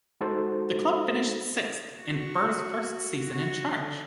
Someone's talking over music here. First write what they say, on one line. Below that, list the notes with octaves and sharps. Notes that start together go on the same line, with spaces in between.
The club finished sixth in Burr's first season in charge.
G#3 D#4 F#4 A4 C5
F#4
F#4
D3